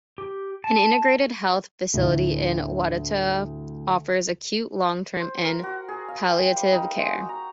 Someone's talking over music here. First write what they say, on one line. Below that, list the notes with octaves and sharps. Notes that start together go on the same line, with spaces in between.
An integrated health facility in Wawota offers acute, long-term and palliative care.
G4
A5
D2 A2
C5
A#4
F#4
G#4
F5
G5
G3
D#4
G#3
F#4
A#5